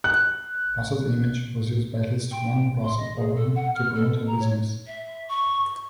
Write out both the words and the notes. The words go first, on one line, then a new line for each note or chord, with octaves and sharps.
Busse's image was used by at least one brothel owner to promote her business.
F#6
G5
C6
D#5
G#4
A4
F#5
F6
A4
A#5
C#5
E5
C#6